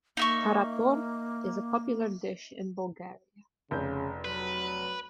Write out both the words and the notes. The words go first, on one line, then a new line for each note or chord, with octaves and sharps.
Tarator is a popular dish in Bulgaria.
A#3 D#4 E5 C#6
F1 C#3 G6
F#3 B4